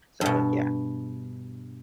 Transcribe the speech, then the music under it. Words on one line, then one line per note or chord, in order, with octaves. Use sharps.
so, yeah.
G2 B2